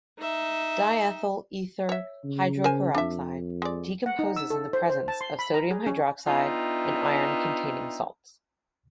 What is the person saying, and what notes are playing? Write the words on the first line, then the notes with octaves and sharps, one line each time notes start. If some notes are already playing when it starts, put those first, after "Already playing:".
Diethyl ether hydroperoxide decomposes in the presence of sodium hydroxide and Fe-containing salts.
D#4 E5
C#5 E5
C#3
A#4 C5 G#5
F2 D4 E5
G#3 D5
F#5
D#4
E6
A4
C5
C5
A5
C6
B5
A#5
G#4
C#4
B3 D4 D#4 F4 E5 G5